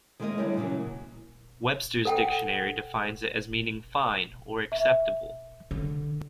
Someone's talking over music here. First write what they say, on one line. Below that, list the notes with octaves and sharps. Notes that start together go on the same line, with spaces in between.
Webster's Dictionary defines it as meaning "fine" or "acceptable".
D#3 G#3 A#3 C#4 A#4 D#5
D2 D3 G3 E4 C#5 D#5
A#2 C#3 E3 F#3 A#3
A4 F#5 G5
E5
D3